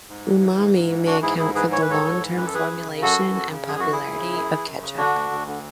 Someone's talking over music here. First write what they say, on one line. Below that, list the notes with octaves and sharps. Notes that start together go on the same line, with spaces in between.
Umami may account for the long-term formulation and popularity of ketchup.
G#2
E3
E3
G#2
G#2
E3
E3 D4 F#4
G#2 E4 G#4
G#2 E4 G#4
E3 G#4 B4
E3 C#5
B4
G#2 A4 C#5
G#2
E3
F#2 B4
A4
E3 G#4 B4
F#2
C#3
F#2 F#4 A4
E3
F#2
C#3
F#2 G#4
E3 F#4
E4 G#4
F#2
C#3
F#2
E3
F#2
C#3
D3 D4 F#4
D2
D2
D3